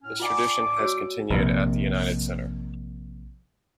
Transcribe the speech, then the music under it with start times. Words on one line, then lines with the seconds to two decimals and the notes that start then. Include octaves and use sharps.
This tradition has continued at the United Center.
0.02 A2 C#4 F6
0.20 F4 D5 F#5 G#5 A5 D6
0.77 F#4 C#5 E6
1.30 A#1 C3